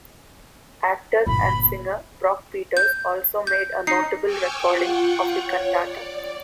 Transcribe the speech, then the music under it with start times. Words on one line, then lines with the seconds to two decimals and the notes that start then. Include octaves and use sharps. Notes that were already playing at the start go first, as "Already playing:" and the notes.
Actor and singer Brock Peters also made a notable recording of the cantata.
1.27 G1 A#2 B5
2.77 G6
3.47 G6
3.87 D#4 C7
4.24 G5 G#5 C#6 D6 E6 F6
4.61 F4 F#5 G5 C#6
5.45 C#5
5.82 D5